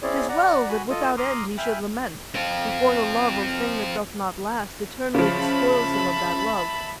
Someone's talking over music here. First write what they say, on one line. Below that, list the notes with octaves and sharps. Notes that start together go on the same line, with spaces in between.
'Tis well that without end he should lament, Who for the love of thing that doth not last Eternally despoils him of that love!
C4 C#4 E4 G#4 C#5 D5
D5 F#5 A#5
F#4 G#5 B5
F4 A4 D#5
A#5 C6 D6 D#6 F6
E5 G5 G#5 B5 F6
C4 F4
C#3 F3 E5 A5 B5